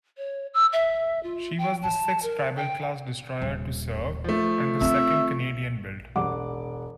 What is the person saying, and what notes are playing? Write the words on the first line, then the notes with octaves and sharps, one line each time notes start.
She was the sixth Tribal-class destroyer to serve and the second Canadian-built.
C#5
E6
E5
F4
G5
A5
A#4
G5
D#1
F3 A3
C4 F4 E5
E1 F#5 D6